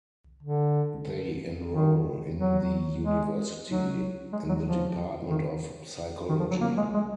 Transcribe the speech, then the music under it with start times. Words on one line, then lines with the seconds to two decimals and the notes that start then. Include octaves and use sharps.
They enroll in the University in the Department of Psychology.
0.43 D3
1.72 D#3
2.38 F#3
3.04 G#3
3.68 F#3
4.33 G#3
4.49 F#3
4.65 F3
5.31 D#3
6.29 D#3
6.39 F3
6.50 F#3
6.61 A#3
6.77 G#3
6.94 G#3